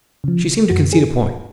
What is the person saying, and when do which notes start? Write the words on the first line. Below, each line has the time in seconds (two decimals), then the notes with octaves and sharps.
She seemed to concede a point.
0.24 C#3 F3
0.70 F#2 F#4
0.93 G#4